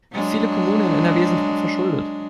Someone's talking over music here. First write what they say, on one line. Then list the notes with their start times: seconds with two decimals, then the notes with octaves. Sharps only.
Viele Kommunen in NRW sind hochverschuldet.
0.12 F#3 G#3 D4